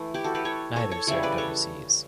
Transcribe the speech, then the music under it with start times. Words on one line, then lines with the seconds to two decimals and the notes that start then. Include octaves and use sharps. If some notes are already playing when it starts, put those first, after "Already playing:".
Neither served overseas.
Already playing: E3 A3
0.14 E4 G4
0.24 F#4 A4
0.35 G4 B4
0.45 A4 C#5
0.76 A4 C#5
0.91 A4 C#5
1.07 C#3 E3 G3 C#5 E5
1.23 B4 D5
1.38 A4 C#5